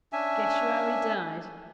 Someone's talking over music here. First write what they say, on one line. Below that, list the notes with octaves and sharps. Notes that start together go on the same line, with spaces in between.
Guess yo' how he died?'
C#4 D4 E5 G#5